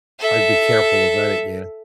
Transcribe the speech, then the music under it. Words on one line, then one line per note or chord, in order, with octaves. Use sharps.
I'd be careful about it, yeah.
A4 E5